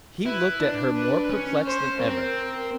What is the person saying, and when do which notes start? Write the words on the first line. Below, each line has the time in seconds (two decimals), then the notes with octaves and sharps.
He looked at her more perplexed than ever.
0.25 E4 B4
0.60 D4
0.95 B4
1.30 C#4
1.65 C5
2.00 C4 A#4
2.36 A#4